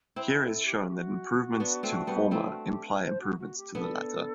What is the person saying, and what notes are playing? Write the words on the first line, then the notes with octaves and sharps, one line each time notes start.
Here is shown that improvements to the former imply improvements to the latter.
C4 E4 B4 C5
A4
G4
G4
F#4
B3 D4
A3 C4
G3 B3
A3 C4 E4
F#4
G4
B4
C5
F#4
F#4
G4
B3 D4 A4